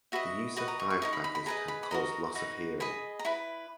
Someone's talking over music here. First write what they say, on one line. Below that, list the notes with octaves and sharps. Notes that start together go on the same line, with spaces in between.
The use of firecrackers can cause loss of hearing.
F#4 B4 D#5 E5
F#4 B4 D#5 F#5
A#5
C#6
C#6
D#4 A#4 D#5 C#6
B5
B5
B5
G#4 B4 D#5 A#5
B5
B5
F#4 A#4 D#5 A#5
D#4 F#4 B4
G#4 D#5 B5
A#5
E4 B4 B5